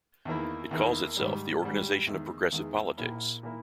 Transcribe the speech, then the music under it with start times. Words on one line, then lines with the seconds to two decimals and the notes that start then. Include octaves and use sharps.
It calls itself the organization of progressive politics.
0.25 E2 D#3 A#3 E4
0.71 E2 D#3 A#3 E4
1.16 G#2 D#3 G3
1.62 G#2 D#3 G3
2.07 E2 D#3 G#3
2.52 E2 D#3 G#3
2.97 A#1 A#2 A#3 E4
3.43 A#2 A#3 E4